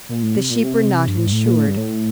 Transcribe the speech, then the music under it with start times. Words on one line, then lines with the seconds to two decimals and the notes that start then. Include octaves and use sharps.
The sheep were not insured.
0.09 A#2
0.23 A2
0.37 C3
0.50 A#2
0.64 C3
1.08 G2
1.18 A2
1.26 G2
1.32 A2
1.45 A#2
1.56 A2
1.67 G2
1.77 A2